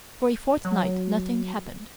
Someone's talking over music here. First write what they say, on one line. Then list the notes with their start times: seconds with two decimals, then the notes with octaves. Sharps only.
For a fortnight nothing happened.
0.65 F#3